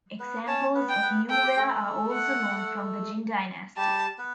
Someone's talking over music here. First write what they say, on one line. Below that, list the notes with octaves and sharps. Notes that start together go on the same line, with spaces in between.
Examples of Yue ware are also known from the Jin dynasty.
B3 B4
C#4 C#5 A5
B3 B4
G5
B3 B4
A4 G5
G4
A3 A4
F#5
G3 G4 A5
B3 B4